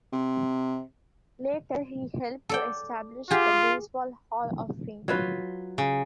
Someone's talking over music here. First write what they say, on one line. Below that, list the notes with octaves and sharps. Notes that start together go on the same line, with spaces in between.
Later he helped to establish the Baseball Hall of Fame.
C3
A4 D5 G5
F4 G4 G#4
F#3 F4 B4
C#3